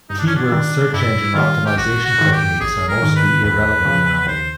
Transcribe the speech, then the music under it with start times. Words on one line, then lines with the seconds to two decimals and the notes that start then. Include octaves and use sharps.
Keyword search engine optimization techniques are mostly irrelevant now.
0.10 G2 D#4
0.19 D4
0.27 C#4
0.36 D4
0.52 D#3 G3
0.93 G2 E4
1.34 D#3 G3 F4
1.66 G4
1.76 A1 F#4
2.05 F#4
2.18 G#2 D#3
2.32 G4
2.61 A1 G#4
2.88 A#4
3.02 G#2 D#3
3.16 B4
3.44 D#2 B4
3.85 C#3 F3
4.27 D#2 C5